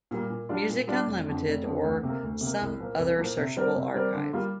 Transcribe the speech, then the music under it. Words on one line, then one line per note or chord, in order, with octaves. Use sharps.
Music Unlimited, or some other searchable archive.
A#2 G3 A#3
A#2
G3 D4 F4 D5
A#2
G3 D4 F4 D5
F1
F2 D3
F1
F2 D3
D2
C3 A#3
D2
C3 A#3
C2
A#2 F3 A#3
C2
A#2 F3 A#3
C3
G3 C4 A#4 D5
C3
G3 C4 A#4 D5
D3
G3 A#3 F4